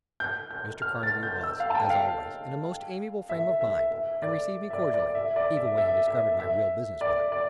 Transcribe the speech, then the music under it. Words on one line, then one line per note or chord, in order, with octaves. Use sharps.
Mr. Carnegie was as always in a most amiable frame of mind, and received me cordially, even when he discovered my real business with him.
G6
G6
F6
A6
G6
E6
F5
A5
G5
F5
E5
E5
E5
D5
E5
D5
D5
E5
D5
E5
E5
E5
E5
D5
D5